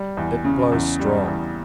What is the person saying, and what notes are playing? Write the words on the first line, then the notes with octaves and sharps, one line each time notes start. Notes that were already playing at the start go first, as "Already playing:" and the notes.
It blows strong.
Already playing: G3
E2
C#3
E2
G3
E2